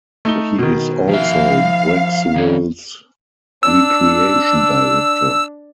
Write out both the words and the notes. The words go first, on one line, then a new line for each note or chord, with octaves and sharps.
He is also Brecksville's Recreation Director.
A3 D#4 G7
B2 D#3
F3 E5 F5
D#3 C#4
D4 E6